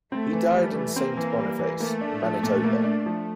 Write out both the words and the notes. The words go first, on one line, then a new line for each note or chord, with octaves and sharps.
He died in Saint Boniface, Manitoba.
A3 C4
E3
G3
E3
A#3 C4
E3
G3
E3
A3 A#3
D4
F3
A#2
A#3
D4
F3